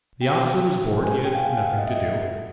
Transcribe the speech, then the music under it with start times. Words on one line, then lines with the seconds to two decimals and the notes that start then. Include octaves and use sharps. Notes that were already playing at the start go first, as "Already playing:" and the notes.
The officer was bored, he had nothing to do.
0.21 G5
1.03 G#5
1.25 G5
1.35 F5
1.45 F#5
1.65 F#5
1.78 D#5
1.86 E5